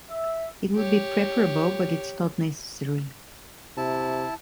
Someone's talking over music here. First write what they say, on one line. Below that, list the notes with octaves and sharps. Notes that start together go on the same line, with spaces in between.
It would be preferable, but it's not necessary.
E5
G4 C#5
C3 E4 A5